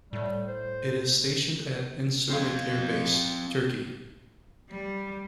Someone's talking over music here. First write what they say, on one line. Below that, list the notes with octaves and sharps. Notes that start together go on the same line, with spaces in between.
It is stationed at Incirlik Air Base, Turkey.
A2 G3
C5
C4 F5
G3